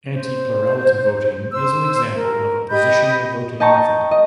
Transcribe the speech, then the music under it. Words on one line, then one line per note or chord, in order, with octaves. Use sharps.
Anti-plurality voting is an example of a positional voting method.
C5
C5 E6
A#4
G4 D#5 B5 G6
D#5 G5 A5 A#5 C#6
D#5